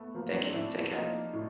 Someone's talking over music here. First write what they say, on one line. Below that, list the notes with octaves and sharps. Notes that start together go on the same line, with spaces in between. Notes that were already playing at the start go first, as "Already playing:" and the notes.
Thank you. Take care.
Already playing: A3 B3
F3 A#3
C4 D4
A2 D4 E4
F3 A#3 D#4 F4
A2